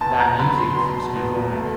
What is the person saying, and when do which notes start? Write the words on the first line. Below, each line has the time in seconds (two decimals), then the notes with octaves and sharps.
that music keeps me going.
0.01 E2 A5
0.20 A#5
0.39 F#3 B5
0.58 C6
0.76 B2 C6
1.16 E2
1.54 A3